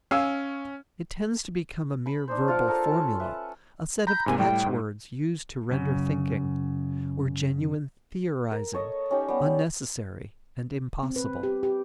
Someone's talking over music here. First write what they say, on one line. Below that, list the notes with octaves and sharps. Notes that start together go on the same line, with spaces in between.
It tends to become a mere verbal formula, a set of catchwords used to render thinking, or genuine theorizing, unnecessary and impossible.
C#4 F5 G#5 E6
B5
D4 D#4 C5
F4 F5 F#5 D6
A4 A#4 A5
C#4 A5
B4 E5
A#5 B5 G6
G#2 C3 A#3 G#5
A2 G3 G5
G#2
F#2 C#3
A#4
A4 C#5 D#5
C#4 D#4 G4
G3 B3
C4
B4
G4
G4